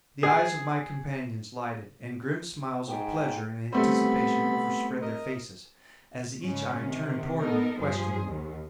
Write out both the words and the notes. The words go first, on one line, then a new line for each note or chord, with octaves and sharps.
The eyes of my companions lighted, and grim smiles of pleasure and anticipation overspread their faces, as each eye turned toward me questioningly.
G#4
G#2 G5
G3 A3 B3 C4 B5
A#4 D#5
G#2 C#3 G#3 C#4
C3 D#3
B3 D#4 A4 A#4
G2 F3 G#4 C5
D#2 D#3